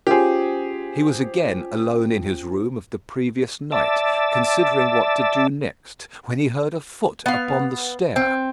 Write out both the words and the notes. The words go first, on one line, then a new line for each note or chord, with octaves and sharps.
He was again alone in his room of the previous night, considering what to do next, when he heard a foot upon the stair.
C#4 F4 G4 G#4 C5
D5 E5 A5
B3 F5
C4